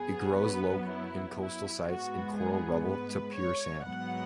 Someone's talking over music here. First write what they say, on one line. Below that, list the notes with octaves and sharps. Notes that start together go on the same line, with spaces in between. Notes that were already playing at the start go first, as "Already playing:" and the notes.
It grows low in coastal sites in coral rubble to pure sand.
Already playing: F#2 F#3 B3 G#4
B4
E4
E4
G#2 G#3 B3 F#4
G#4
B4
C#5
G#2 F#3 B3 F#5